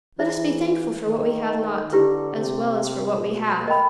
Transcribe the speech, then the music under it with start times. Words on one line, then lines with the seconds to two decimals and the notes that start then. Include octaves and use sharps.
Let us be thankful for what we have not, as well as for what we have!
0.19 E3 E4 G#4 C5 E5
1.06 D#3
1.93 D3 E4 G4 B4
2.36 C3
3.24 B2
3.68 A#4 D#5 G5 B5